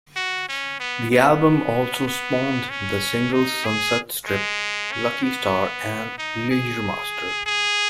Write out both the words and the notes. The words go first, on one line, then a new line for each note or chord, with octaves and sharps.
The album also spawned the singles 'Sunset Strip', 'Lucky Star' and 'Leisuremaster'.
F#4
C#4
B3
B3
B3
C#4
D#4
G#4
G#3
C#4
B3
D#4
G#4
G#4